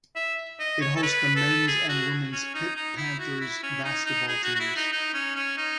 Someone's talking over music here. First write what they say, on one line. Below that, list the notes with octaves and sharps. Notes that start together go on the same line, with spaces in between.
It hosts the men's and women's Pitt Panthers basketball teams.
E5
D#5
C#5
A4
B4
A4
G#4
F#4
C#4
D#4
D#4
E4
F#4
E4
C#4
D#4
D#4
G#4
F#4
F#4
E4
D#4
D#4
C#4
C#4
D#4